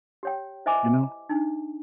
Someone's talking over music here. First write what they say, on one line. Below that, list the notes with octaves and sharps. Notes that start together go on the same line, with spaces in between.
you know?
G4 C#5 G5
E4 C5 D#5 E5 G#5 D6
D4 D#4